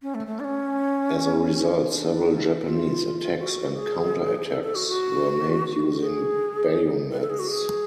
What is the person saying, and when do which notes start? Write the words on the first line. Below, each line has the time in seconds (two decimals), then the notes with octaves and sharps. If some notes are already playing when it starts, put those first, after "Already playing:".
As a result, several Japanese attacks and counterattacks were made using bayonets.
0.02 C#4
0.15 A3
0.27 A3
0.40 D4
0.44 C#4
1.89 D4
2.64 F4
3.38 F#4
3.75 G#4
4.50 A4
4.63 A4
4.75 F#4
4.88 F#4
5.99 G#4
7.12 B4
7.21 A4
7.30 G#4
7.39 F#4
7.49 G#4